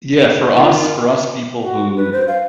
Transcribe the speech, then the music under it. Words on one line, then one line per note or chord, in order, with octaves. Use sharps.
Yeah, for us for us people who
D#3 F4
F#4
B4
C5
F5